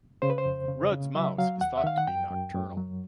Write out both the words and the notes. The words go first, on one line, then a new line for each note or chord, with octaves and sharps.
Rudd's Mouse is thought to be nocturnal.
C#3 C5
B4
C5
F2
C#3
C#3
F#3 E5
F#3 F5
D#2 F#5
E5
D#3 F5
F#5
F#2 G5
F#2
F#2
F#3